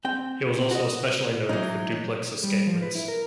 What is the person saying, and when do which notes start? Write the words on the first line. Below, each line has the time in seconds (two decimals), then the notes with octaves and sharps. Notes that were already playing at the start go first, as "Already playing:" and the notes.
He was also especially noted for duplex escapements.
0.05 C4 G5
0.71 F#4 D#5
1.49 E3 F#3 D#4
2.43 G3
2.67 F3
2.82 B4
2.95 E4
3.08 A#4